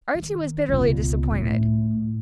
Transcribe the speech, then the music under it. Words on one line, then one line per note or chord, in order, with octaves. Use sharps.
Archie was bitterly disappointed.
D#3
C#2 B2
A2